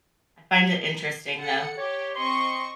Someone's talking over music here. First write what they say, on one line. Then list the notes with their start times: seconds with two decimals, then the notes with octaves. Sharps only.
I find it interesting, though.
1.38 A4 F#5 C#7
1.77 G4 C#5
2.15 C4 D#5 C6 C#6